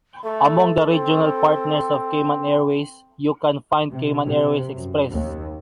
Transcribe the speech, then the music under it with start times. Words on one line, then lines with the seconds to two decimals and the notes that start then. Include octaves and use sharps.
Among the regional partners of Cayman Airways, you can find Cayman Airways Express.
0.24 A3 A4
0.92 C4
3.91 C3
4.28 C3
4.74 F#2
5.10 D#2